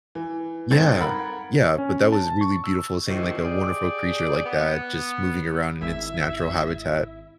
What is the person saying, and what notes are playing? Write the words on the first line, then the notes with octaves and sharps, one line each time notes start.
Yeah. Yeah, but that was really beautiful seeing, like, a wonderful creature like that, just moving around in its natural habitat.
E3
G1 G#2 C4 A4 G#6 A6
A#4 F#5 B5
C#4
A5
C#6
E6
F#2 A2 C3 D#3 F3
G4 G#4 D5
B3
G#1 E4 E5